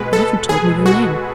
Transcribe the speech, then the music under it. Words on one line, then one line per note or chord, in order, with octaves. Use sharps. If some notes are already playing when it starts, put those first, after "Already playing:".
"You haven't told me your name."
Already playing: B2 G#3 B4
A4
G#4
F#4